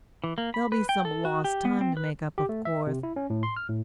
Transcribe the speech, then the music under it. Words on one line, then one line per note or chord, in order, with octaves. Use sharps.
There'll be some lost time to make up, of course.
E3
A#3
B5
B4
G5
A4
F#4
G4
B3
C4
B4
G4
A3
E5
C3
E4
C#4
A2
C6
F6
A2